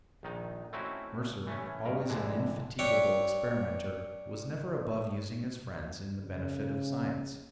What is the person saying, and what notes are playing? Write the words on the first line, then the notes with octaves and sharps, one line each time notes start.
Mercer, always an indefatigable experimenter, was never above using his friends in the benefit of science.
A#1 D#3 D#4
A3 C4 C#4 D#4 E4 F#4
E3 A3 C#4
G2 A#4
A#1 F2 D3 E3 G#3
D4 C#5 E5 G5
C#3